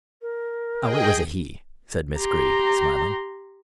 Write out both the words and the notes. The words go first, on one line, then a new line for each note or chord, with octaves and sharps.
"Oh, it was a 'he,'" said Miss Greeb, smiling.
A#4
G#4 D#5 G5
G4 A#5 C6